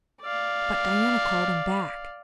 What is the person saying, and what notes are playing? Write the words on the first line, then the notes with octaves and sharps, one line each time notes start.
But Diana called him back.
D5 F5